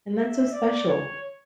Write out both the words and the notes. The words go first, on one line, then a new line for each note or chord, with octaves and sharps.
and that's so special.
E5
D5
C#5